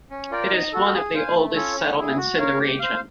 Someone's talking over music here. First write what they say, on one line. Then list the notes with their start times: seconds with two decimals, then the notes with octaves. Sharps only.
It is one of the oldest settlements in the region.
0.10 C#4
0.31 F4 A#4 D5 G5
0.52 D#4
0.73 F#4 A4
0.93 G#4
1.14 C5 F5 G#5
1.35 A3
1.55 C#4 F4 A4 C#5
1.76 C#4
1.97 E4 G#4
2.17 F#4
2.38 A#4 C#5 F5
2.58 G4
2.79 C5 F5